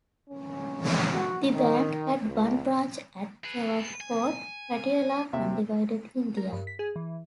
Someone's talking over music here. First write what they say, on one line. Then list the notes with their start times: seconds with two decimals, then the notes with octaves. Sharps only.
The bank had one branch at Chowk Fort, Patiala, Undivided India.
0.29 C#4
1.13 F#4
1.55 D#3
2.28 C#2
3.44 G#4 B4
4.01 G#5
5.33 D#2 C3 E5
6.37 A#4
6.53 G2
6.67 B6
6.79 G#4
6.96 E3